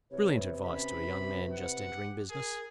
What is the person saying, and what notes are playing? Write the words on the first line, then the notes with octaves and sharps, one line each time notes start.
Brilliant advice to a young man just entering business!
C3 E4 B4 C#5
C#4 B5
F#5
G4
G#4 A#4